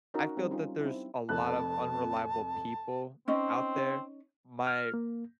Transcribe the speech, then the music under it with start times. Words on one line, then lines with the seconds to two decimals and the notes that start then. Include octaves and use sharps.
I feel that there's a lot of unreliable people out there. My
0.14 C#4 D#4 F#4 A#4
0.37 G3 C4
0.51 C#4 D#4 F4
0.81 C4 D#4 E4
1.29 F1 F2 A5 F#6
3.28 C4 C#4 D#4 D#5
4.67 F6
4.94 A#3